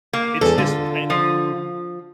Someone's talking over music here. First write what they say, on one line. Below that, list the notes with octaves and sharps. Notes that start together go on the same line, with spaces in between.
it's just kind of
A#3
E2 G#4 A4
D3 F4
F3